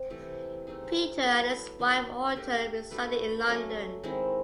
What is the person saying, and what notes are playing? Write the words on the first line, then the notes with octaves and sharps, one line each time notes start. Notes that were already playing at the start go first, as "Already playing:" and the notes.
Peter and his wife Autumn resided in London.
Already playing: C4
C3 E3 A3
A3 C4 D#4 G#4
F#3 B3 E4 A4
D#3 F#3 A#3 D#4
A3 D4 G4 A#4
A3 D4 F#4 B4
F#3 A3 C#4
D#3 G#3 C4 E4